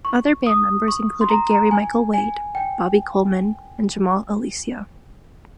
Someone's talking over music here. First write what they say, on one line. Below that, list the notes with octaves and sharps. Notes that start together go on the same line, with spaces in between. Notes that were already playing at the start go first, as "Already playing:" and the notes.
Other band members included Gary Michael Wade, Bobby Coleman and Jamal Alicea.
C#6
D#6
C#6
C6
A#5
A#5
G#5
G#5
G5